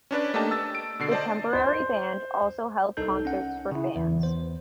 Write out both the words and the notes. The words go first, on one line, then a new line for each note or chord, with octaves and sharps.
The temporary band also held concerts for fans.
C#4 D4 B4 D5
A3 A#3 D4 G4 D#5 A5
E6 A6
D7
B2 D3 C7
C5 D5 D#5 A5
C5
C2 D#4 A4 G6
C#4 F#5
C#3 E4
E2 E3
E2 C5